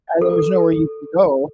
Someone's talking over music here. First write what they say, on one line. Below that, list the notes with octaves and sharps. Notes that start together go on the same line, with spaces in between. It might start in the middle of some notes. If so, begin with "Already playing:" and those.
I there's nowhere you can go.
A4